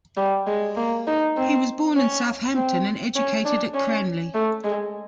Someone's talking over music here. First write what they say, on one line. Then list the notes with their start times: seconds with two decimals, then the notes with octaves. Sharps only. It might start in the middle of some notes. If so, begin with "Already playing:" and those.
He was born in Southampton and educated at Cranleigh.
0.17 G3
0.47 G#3
0.77 A#3
1.07 D#4
1.37 C4
1.96 C#4
2.55 C4
3.15 C#4
3.45 D4
3.74 C#4
4.34 A3
4.64 G#3